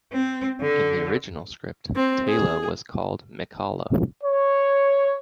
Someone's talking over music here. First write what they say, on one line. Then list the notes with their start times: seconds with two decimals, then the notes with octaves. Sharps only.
In the original script, Teyla was called Mikala.
0.13 C4
0.61 D3
1.96 C4
2.28 G#4
4.23 C#5